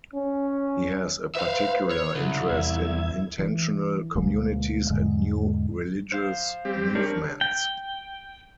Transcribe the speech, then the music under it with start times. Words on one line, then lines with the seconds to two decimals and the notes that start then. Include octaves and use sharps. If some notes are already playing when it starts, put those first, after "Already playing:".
He has a particular interest in intentional communities and new religious movements.
0.14 C#4
1.36 B4 C5 E5 F5
1.91 C#5
2.15 C2 C#3
2.49 E2 E5 G#6
3.39 E3
4.15 D2 B2 G#3 A#3
4.90 E2 G#2 D3 G#3
6.12 C5 F5
6.65 G3 C4 G4
6.95 D4 A#4 C#5
7.41 G5